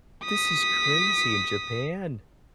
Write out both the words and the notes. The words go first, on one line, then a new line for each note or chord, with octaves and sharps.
This is crazy! In Japan?
D#6 B6